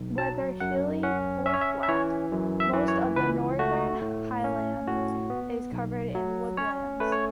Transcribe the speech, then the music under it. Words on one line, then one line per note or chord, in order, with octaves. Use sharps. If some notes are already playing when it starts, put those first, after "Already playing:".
Whether hilly or flat, most of the Northern Highland is covered in woodlands.
Already playing: B1
F#3 A5
F#2 F#5
C#4 F#5
C#4 E5
C#5
E5
E5
E3 C#5
F#2
E5
E3
C#5
C#2 B4
A3 F#4
A2
C#4
A2 F#4
B3
B1
F#3
C#4 C#5
A3 B4
C#5